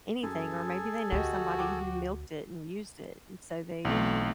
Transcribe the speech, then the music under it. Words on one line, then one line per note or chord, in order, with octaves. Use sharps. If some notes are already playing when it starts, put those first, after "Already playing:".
anything, or maybe they know somebody who milked it and used it, and so they
F#2 G#4 A4
D2 F#4 G4 D#5
F#5 G5 D6
B1 E3 A3 C4